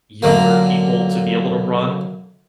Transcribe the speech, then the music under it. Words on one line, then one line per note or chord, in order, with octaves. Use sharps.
Younger people to be able to run,
F#2 D3 A#3